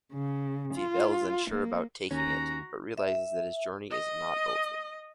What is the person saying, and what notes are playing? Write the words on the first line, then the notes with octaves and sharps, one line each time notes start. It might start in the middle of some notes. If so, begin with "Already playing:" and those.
Fievel is unsure about taking it, but realizes that his journey is not over.
C#3
F4
A#3
D#2 C#4 F#4 A#5
E5
D#5